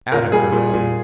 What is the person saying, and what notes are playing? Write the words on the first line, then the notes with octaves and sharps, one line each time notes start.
Atta girl!
A#2 A#4
G3 G#4
A#2
A#2